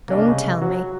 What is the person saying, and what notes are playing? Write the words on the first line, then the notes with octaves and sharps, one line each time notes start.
Don't tell me.
C2 A#3 C#4 D4 A#4 D#5
C#3
F#3 F#4